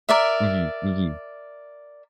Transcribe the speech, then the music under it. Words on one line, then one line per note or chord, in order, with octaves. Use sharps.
Mhm, mhm.
A#4 D5 E5